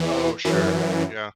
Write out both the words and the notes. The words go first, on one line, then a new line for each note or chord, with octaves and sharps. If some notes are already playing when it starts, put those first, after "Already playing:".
Oh, sure. Yeah.
Already playing: E2 E3
F#2 E3